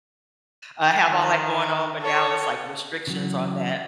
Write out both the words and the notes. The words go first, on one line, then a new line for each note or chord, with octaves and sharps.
uh, have all that going on, but now it's, like, restrictions on that.
D#3
A4 C#5
C#3 E3 F#3